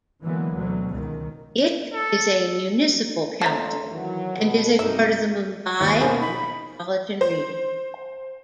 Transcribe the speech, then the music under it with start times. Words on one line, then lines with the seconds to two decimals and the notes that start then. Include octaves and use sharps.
It is a municipal council and is a part of the Mumbai Metropolitan Region.
0.23 D3 E3 F#3 G#3 A#3 B3
0.56 D2 B2 F#3
0.92 C#2 D#3
1.94 A4
3.41 F2 A3 C5 C#5 E5 A5 A#5
3.91 D#3 E3 F#3
4.38 B2 A4
4.79 G2 C3 G#3 D#4 F#4 E5
5.80 D#2 F3 C#6
6.01 B2 A#3 G#4 C5
6.21 D#4 B5
7.21 C5